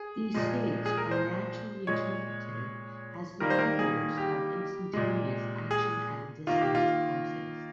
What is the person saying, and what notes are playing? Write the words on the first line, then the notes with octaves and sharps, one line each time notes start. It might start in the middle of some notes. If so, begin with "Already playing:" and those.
These states are naturally interpreted as the carriers of instantaneous action-at-a-distance forces.
Already playing: G#4
A#2 F3 G#3
G#4
A#4
C5
A#2 G#3 C#5
D#3 G3 A#3 A#4
C5
A#4
G#4
G4
A#2 G#3
G#4
D#3 A#3 F4
G4
F4